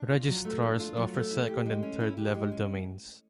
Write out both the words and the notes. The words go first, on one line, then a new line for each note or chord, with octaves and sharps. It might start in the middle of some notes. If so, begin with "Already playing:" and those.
Registrars offer second and third level domains.
Already playing: D4
F4
F#3
A3
D4
F4
F#3
A3
E4
G4
G#3
C#4
E4
G4
G#3
C#4